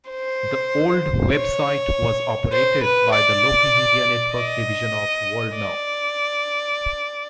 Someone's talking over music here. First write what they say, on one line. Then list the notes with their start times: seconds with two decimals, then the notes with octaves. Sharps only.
The old website was operated by the Local Media Network division of WorldNow.
0.10 C5
1.31 C#5
2.53 C5
2.84 B4
3.14 D5
4.35 D#5
5.57 D5